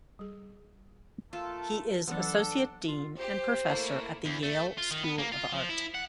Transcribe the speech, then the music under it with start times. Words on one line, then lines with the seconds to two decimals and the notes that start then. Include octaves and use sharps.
He is Associate Dean and professor at the Yale School of Art.
0.19 G3 G#4
1.33 A3 F4 A4 A#4 A5
2.08 E3 F#3 B3 D4 A4 F#5
2.87 F4
3.19 G4 C5
3.65 A3 A#3 E4
4.25 E2
4.43 A3
4.78 F4
4.91 D#3
5.03 B3
5.18 A#3
5.32 F4
5.52 F3
5.69 E4
5.94 F#5